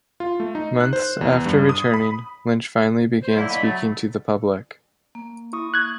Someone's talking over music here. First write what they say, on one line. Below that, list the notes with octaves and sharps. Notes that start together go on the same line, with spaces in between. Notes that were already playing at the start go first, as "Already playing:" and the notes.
Months after returning, Lynch finally began speaking to the public.
F4
A3
D#4
F#6
C5
E2
G2
D#6
B5
C5
D3 F#3 A#3 E4
D3 A#3 C#5 D#5 B5
F#3 A3
A#3
E4 C#6 D#6
F#6 G#6